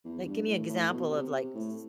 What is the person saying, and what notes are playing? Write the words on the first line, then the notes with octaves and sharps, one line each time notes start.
Like, give me an example of, like, s
E2
G2
A2
A2
B2
C3
C3
A2